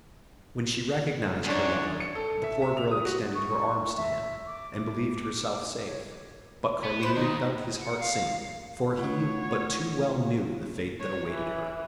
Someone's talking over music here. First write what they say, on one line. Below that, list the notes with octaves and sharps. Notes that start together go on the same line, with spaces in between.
When she recognized her lover, the poor girl extended her arms to him, and believed herself safe; but Carlini felt his heart sink, for he but too well knew the fate that awaited her.
F#2 D4 C#5
C#7
A4
A4
E5
E5
F7
D#6
F#4
C#6
E5
D6
C#5
B3
C5 B5
D#2 D#4
F#5
F5
A3 F4 C#5 F#5
C#5
E3